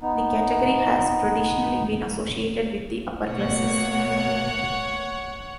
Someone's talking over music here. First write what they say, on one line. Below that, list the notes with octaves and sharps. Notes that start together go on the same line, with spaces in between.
The category has traditionally been associated with the upper classes.
B3 D#4
B2 A3 A#3 C#5 F#5